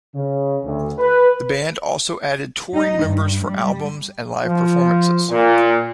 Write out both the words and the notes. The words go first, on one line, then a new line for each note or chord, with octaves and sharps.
The band also added touring members for albums and live performances.
C#3
D2
B4
D#4
G2
G3
F3
A#2